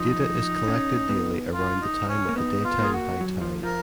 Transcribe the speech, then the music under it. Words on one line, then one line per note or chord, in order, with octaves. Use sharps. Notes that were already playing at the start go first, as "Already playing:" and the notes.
Data is collected daily around the time of the daytime high tide.
Already playing: F3 D#4
C#4
B3
F4
D#4
C#4
A#3
B3 D#4
F4
A#3 G#4
F#4
F#3
F3
F3 A#4